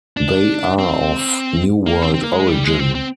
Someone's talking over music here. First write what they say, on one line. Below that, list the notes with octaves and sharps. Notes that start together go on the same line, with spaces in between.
They are of New World origin.
D4
C4
A#3
C4
C4
A#3
G#3
G3
G#3
C4
C4